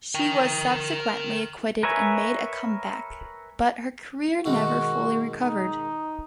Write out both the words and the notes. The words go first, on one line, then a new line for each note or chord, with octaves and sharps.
She was subsequently acquitted and made a comeback, but her career never fully recovered.
A#4 G5
A#4 B4 C#5 E5 G#5
B2 D#3 G#3 F#4
D#4